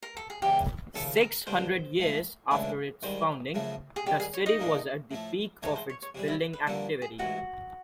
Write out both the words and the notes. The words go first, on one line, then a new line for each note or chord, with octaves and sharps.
Six hundred years after its founding, the city was at the peak of its building activity.
A#4
A4
G#4
E2 C#3 E3 G#3 G4
D#2 C#3 F3 A3 A4
A4
A#4
G2 D3 G3 C5
G#2 F3 A3
C#2 C#3 E3 A3 D4
G#2 D#3 G3 C5
F#2 C#3 F3 A3
G#4
G#2 D#3 G3 G4
G#4
C#5
D#4 D#5
A#1 A2 F3 A#3 D4
A2 F3 A3
G#2 E3 A3 C#5
C5
C#5
C#5
C3 E3 G3
E4 E5
B4
G2 D3 F3 A#3 A4
G#4
A1 G#2 E3 F#4